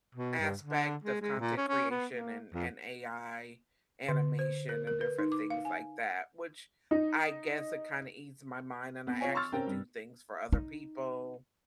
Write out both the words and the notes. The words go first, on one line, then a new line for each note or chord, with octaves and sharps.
aspect of content creation and and AI animation and different things like that, which I guess it kinda ease my mind, and I actually do things for other people,
B2
G2
D3
G#3
G#3
A#2
C#4
C#4
B3
A#3
F2
D3
C5
A#4
A#4
B4
D#4
D6
F5
G#5
D#4
B3
F4 C#5 G#5
C6 C#6 E6 F6 A6
C4 C#4 A#4 G5
G2
D#4